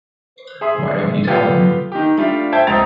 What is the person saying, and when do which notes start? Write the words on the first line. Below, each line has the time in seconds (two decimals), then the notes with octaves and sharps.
Why don’t you tell him?
0.61 G#4 E5 C6 D#6
1.27 B3 F4 G4 A4
1.92 D#3 G4
2.18 G3 A3 D4 F4 F5
2.52 C5 E5 G5 A5 G6 G#6
2.67 C#2 C4 A#5 A6 F7